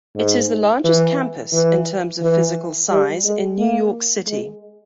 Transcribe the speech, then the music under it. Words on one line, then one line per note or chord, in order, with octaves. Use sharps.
It is the largest campus, in terms of physical size, in New York City.
G#2
E3
E3
E3
G3
G#3
A#3
G#3